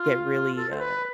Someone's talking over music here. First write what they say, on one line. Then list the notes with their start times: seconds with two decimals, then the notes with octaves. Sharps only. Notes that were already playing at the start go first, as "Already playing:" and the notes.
get really, uh,
Already playing: F4
0.55 A4
0.70 C5
0.78 B4